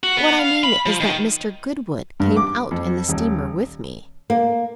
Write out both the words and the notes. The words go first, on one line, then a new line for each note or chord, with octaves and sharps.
"What I mean is that Mr. Goodwood came out in the steamer with me."
F#4
B3
F5
B5
F3
D#3
G2
D6
F2
D#1
A#3